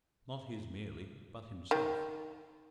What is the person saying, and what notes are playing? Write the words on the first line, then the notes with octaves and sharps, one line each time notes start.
Not his merely, but himself.
D#3